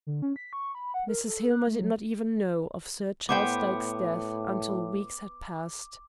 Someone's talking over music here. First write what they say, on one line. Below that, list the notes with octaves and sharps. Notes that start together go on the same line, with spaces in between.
Mrs. Hillmer did not even know of Sir Charles Dyke's death until weeks had passed.
D3
C#4
B6
C#6
B5
F#5
A#4
A4
F#6
A3
F#3
A2 B3 C5 G5 D6